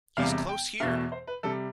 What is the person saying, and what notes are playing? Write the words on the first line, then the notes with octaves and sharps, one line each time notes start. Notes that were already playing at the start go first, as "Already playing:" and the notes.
He's close here!
E1 E2 C3 G3 F5
G5
E2 B2 A3 F5
E5
C5
B4
C3 G3 A4